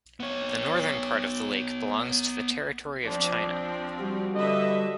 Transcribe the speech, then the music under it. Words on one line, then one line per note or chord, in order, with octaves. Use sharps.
The northern part of the lake belongs to the territory of China.
B3 C#5
F3 C4 D4
G3 F#4
D3 B4 D#5 E5